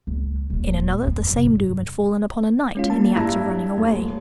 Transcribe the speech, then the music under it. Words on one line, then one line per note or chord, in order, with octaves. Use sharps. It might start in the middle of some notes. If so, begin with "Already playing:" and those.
In another, the same doom had fallen upon a knight in the act of running away.
C#2
D#1 G#3
F2 D#3
F#2 C3
G2
G#3 C#4 F4
A#3 A5
G2 E4 A#5
D#1 A3